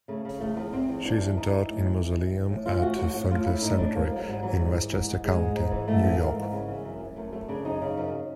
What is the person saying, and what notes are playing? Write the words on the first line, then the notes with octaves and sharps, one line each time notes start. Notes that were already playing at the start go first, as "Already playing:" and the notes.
She is interred in a mausoleum at Ferncliff Cemetery in Westchester County, New York.
C#3 A3
C#3
E2 A3
E2 B3
E2 C4
E2
E2 D4
E3
E3 D#4
E3
A2
E3
E3
E3
E3
A2
E3 F4
A2 F#4
A2 F#4
A2 F#4
A2 F4
A2 E4
A2 D#4
A2 D4
G#2 A#3
G#2 F#3
G#2 G3
E3 F#3
G#2 G3
E3
G#2
G#2
G#2 G#3
G#2
G#2
E3
G#2 A3
E3
E3 A#3
G#2
C#3
E3
F#2
F#2
F#2 A3
F#2 A3
C#3 D4
F#2 D#4
C#3
F#2